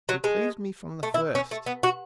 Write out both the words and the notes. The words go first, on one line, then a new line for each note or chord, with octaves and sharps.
He pleased me from the first.
F#3
G#3
A3
E4
C#4
A3
B3
F#4